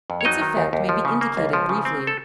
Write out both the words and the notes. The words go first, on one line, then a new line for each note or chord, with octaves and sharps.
Its effect may be indicated briefly.
F2
C#5
F#3 D#4 D#5
D#3
D#2
D#2
F3
C#3
A#3
C#2
F3
C#3
C4
A4